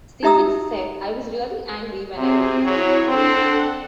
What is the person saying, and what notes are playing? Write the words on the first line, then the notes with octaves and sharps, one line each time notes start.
Stephens said I was really angry when I wrote it.
D#4 G4 E5 A#5 D#6 E6
C3 C4 G#4
F#3 E4 G#4 C#5
C4 D4 A4 F#5